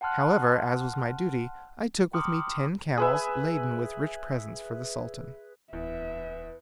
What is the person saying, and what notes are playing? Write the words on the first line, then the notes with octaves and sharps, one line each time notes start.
However, as was my duty, I took with me ten camels, laden with rich presents for the Sultan.
F#5 G5 A5 C6 F6 F#6
G5 A#5 C6 D6 D#6 F6
G#4 B4 E5
D1 E2 B4 E5